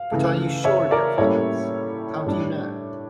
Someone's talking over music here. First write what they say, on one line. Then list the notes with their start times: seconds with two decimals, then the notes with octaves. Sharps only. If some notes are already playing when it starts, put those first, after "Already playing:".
But are you sure of your facts? How do you know?
Already playing: F5
0.11 C#3 E3 A3
0.64 C#5 E5
0.91 A#4 D5
1.18 A2 G3 A#3 C#4 E4 A4 C#5
2.26 A2 G3 D4